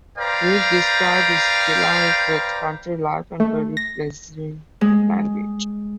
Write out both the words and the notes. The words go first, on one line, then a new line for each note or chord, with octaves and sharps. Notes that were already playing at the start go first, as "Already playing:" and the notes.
Pius described his delight with country life in very pleasing language.
B4 C5 D5 F5 G5 A#5
A3
A#6
G#3